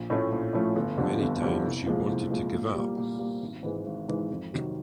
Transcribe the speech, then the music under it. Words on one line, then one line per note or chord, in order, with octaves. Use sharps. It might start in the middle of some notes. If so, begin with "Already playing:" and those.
Many times she wanted to give up.
Already playing: A#1
A2 F3 A3 C#4
A#1
A2 F3 A3 C#4
G1
F2 D3 G3
G1
F2 D3 G3
C2
A#2 F3 G#3
C2
A#2 F3 G#3
A#2
G3 A#3
A#2
G3 A#3
G#1
G#2 E3 G#3
G#1
G#2 E3 G#3
F2
C3 D#3 F#3